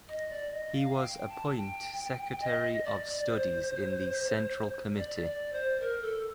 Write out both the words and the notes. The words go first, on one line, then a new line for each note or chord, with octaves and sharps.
He was appoint Secretary of Studies in the Central Committee.
D#5
D5
D#5
F5
G5
A5
G5
D#5
D5
C5
D5
D5
C5
A#4
A4